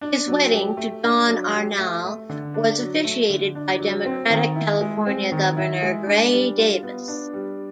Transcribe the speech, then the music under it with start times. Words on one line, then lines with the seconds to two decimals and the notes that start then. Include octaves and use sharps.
His wedding to Dawn Arnall was officiated by Democratic California Governor Gray Davis.
0.01 D4
0.28 F#3
0.52 G4
0.77 A3
1.03 D4
1.28 F#3
1.53 G4
1.79 A3
2.04 A3
2.30 D3
2.54 D4
2.79 F#3
3.04 A3
3.30 D3
3.55 D4
3.80 F#3
4.06 C4
4.30 D#3
4.55 E4
4.81 G#3
5.07 C4
5.32 D#3
5.57 E4
5.82 G#3
6.07 D4
6.32 G3
6.58 F4
6.83 B3
7.08 D4
7.34 G3